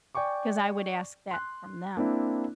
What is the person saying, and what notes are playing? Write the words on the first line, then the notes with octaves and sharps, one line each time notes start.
'Cause I would ask that from them.
D5 G5 G#5 C#6 D6
C6 F#6
A#3 C4 D4 E4